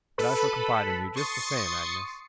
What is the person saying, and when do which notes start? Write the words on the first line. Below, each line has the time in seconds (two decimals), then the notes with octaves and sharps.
'But I shall confide in you, just the same, Agnes.
0.18 A4 B4 B5
1.16 C6 C#6 D#6 A6 C7 C#7